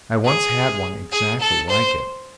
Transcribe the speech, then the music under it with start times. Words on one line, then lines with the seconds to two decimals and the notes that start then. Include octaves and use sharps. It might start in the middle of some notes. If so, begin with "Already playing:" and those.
"I once had one exactly like it."
0.25 G#4
1.12 G#4
1.40 A4
1.69 C5